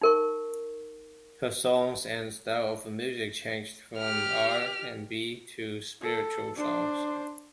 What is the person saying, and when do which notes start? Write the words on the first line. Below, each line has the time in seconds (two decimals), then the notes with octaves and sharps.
Her songs and style of music changed from R and B to spiritual songs.
0.02 D#4 A#4 C#6
3.98 G4 F6
6.01 A4
6.56 D4 C5